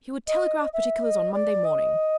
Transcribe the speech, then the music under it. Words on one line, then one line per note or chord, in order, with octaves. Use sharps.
He would telegraph particulars on Monday morning.
D#5
E5
D#5
D5
D#5